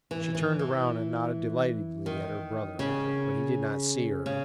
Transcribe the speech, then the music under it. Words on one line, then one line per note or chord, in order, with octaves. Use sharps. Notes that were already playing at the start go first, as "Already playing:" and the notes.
She turned around and nodded delightedly at her brother, but he did not see her.
E3
E3
E3
D#3
C#3
C#3